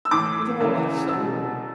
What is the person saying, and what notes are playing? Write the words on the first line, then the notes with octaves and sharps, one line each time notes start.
"With all my soul."
E6
A2 E3 D6
E2 C#3 E3
E2 B2 E6